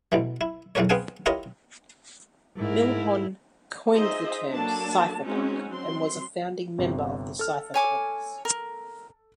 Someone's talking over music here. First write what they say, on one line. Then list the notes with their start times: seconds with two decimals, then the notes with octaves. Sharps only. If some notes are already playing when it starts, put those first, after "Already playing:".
Milhon coined the term cypherpunk and was a founding member of the cypherpunks.
0.12 A1 B2 E3
0.41 E4
0.75 B1 E2 F#3 F#4 A#4 C#5
0.90 B3 C4 G#4 F5 F#5 G#5
1.26 E4 F4 G4 A#4 C#5 D#5
2.56 G#2 E4 A#4
3.92 D#4 F4 G#4 C5 D#5 E5
4.53 F#3 A#3 D4 A4 A5
5.22 G#3 C4 C#4 D#4 F#4
5.69 F#3 C4 C6
6.78 G1 C3
7.39 A4 F6
7.74 C#5 G#5 D6
8.45 A#4